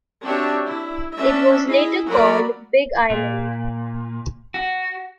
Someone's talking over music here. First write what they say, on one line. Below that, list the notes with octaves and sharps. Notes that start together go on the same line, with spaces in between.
It was later called Big Island.
C4 D4 F#4 G4 C#5 E5
E4
C#4 D4 E5
E4 G#4 D#5
F#3 A#3 F#4 A#4 D5 B5
A#2
F#4